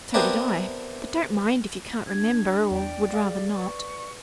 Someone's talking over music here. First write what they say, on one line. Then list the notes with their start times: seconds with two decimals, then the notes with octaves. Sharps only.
So did I; but don't mind, if you can't remember, or would rather not.'
0.14 B3 C4 D4 E4 G4 A#4
2.07 D4 G#6
2.71 E2 D5 G5
3.14 G#4 F5
3.55 B4 C#6